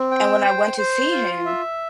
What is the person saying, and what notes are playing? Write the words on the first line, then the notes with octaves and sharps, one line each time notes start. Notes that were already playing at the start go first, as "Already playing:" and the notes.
And when I went to see him
Already playing: C4
G5
C5
C5
F4
E5